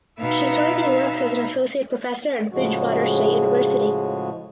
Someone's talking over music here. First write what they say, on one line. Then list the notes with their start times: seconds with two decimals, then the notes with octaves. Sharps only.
She currently works as an associate professor at Bridgewater State University.
0.19 B2 D#4 B4 E5 F5 E6
2.53 A2 C#3 F3 G#3 F#4